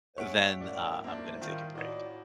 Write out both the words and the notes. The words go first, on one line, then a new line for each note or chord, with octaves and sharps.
uh, then, uh, I'm gonna take a break.
D#2 G#3 C#5 E5 F#5 D7
F#2 A2 G3 F#4 D5
A3 A#3 D4 C5
D#3 F4
A2 D#4 F#4 D5